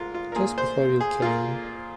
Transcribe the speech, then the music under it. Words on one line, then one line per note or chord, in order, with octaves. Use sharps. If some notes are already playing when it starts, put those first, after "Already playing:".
Just before you came.
Already playing: G#2 G#3 F4 A#4
F4
A#4
A#2 A#3 G#4
C5
G#4
A#2 A#3 F4